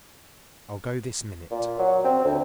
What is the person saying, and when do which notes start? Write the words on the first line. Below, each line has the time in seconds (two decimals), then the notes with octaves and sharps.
I'll go this minute.'
1.51 A#2
1.79 F#3
2.05 C4
2.25 D2